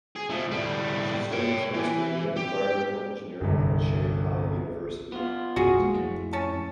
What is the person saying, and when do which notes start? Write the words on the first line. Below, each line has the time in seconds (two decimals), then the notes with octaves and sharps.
She studied chemistry and environmental engineering at Shanghai University.
0.16 G#4
0.30 F3 A3
0.51 A2 G3
1.31 C#5 G5
1.74 E3
2.37 G4
3.41 G1 C2
5.12 B3 F4
5.56 B1 F#2 F#4 G#4
5.79 G#3 A#3
5.95 F2 A2
6.33 C#4 A5